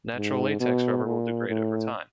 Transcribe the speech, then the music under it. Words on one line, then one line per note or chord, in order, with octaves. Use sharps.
Natural latex rubber will degrade over time.
G#2
B2
A#2
A2